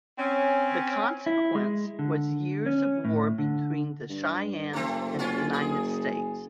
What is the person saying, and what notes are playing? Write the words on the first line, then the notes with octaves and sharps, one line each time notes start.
The consequence was years of war between the Cheyennes and the United States.
C4 C#4
E4
G#3
D3
C#4
A2
D3
G2
F#1 A3 C4
C#4 F4
G#4